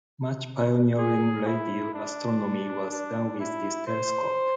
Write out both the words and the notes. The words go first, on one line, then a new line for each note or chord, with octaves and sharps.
Much pioneering radio astronomy was done with this telescope.
G#4
E4
D4
D4
E4
C5